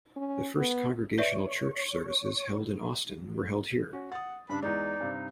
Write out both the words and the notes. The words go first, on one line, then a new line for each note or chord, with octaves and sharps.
The first Congregational church services held in Austin were held here.
C#4
B3
B4 C#5 D5 E5
C#4 F#4
F#5 D#6 A6
G2 C#3 D4 B5
E2 G#3 D#4 D5
G2 C3